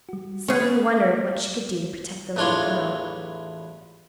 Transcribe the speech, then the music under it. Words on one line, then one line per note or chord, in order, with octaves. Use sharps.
Sylvia wondered what she could do to protect the little girl.
G3 F#4
A3 C#4 G#4
B5 F6 A6
A1 E2 D4 F4 C#5 C6